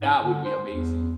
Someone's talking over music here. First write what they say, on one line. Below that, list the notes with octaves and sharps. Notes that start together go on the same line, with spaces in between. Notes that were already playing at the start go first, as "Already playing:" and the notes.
That would be amazing.
G#2
D3
C5
E2